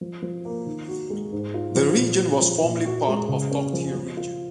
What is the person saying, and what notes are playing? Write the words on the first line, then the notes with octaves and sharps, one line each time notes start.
The region was formerly part of Togdheer region.
F3
F3
A#3
D#3
F#4
G#3
G#2
F4
F3
A#2
F#4
F3
A#2
F#4
G#3
C#3
C#4
F3
F3
F4